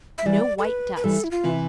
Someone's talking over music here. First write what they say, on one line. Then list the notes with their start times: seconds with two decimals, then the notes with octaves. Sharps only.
No white dust.
0.18 E5
0.26 E3 G3 D5
0.59 A4
0.65 B4
0.96 B4
1.04 E3 G3 A4
1.24 E4
1.31 F4
1.44 C3 E3